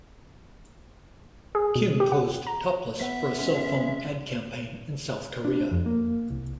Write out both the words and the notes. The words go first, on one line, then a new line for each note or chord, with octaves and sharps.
Kim posed topless for a cell phone ad campaign in South Korea.
G#4
B2
G4
F#5
A#5
B3 E5
G#3 C#4
D4
F2
A#3
C2